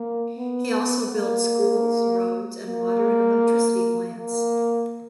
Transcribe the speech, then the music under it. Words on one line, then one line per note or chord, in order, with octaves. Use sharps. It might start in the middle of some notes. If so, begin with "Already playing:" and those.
He also built schools, roads, and water and electricity plants.
Already playing: A#3
B3
A#3
A#3
A#3